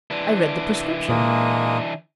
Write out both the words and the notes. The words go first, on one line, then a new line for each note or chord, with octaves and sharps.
I read the prescription.
E3 D4
A#2 G#3 A#3 D#6